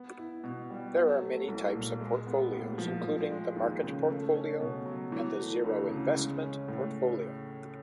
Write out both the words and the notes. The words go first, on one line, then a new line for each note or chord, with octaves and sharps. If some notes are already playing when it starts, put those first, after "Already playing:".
There are many types of portfolios including the market portfolio and the zero-investment portfolio.
Already playing: B3
E4
B2
G3
F#3
A3
C2
A#2
G#3
B3
A2
F3
F3
G#3
D#2
C#3
A3
C#4
B2
F#3
E3
A3
D2
C#3
G#3
C#4
A2